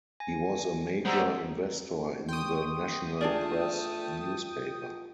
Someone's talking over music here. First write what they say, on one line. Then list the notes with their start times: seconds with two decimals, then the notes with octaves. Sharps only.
He was a major investor in the "National Press" newspaper.
0.20 G#5 A#6
1.05 G3 G#3 C5 F#5 A#5 E6
2.29 G5 C6 C#6 D#6
3.21 A3 D4 F4 G#4 D5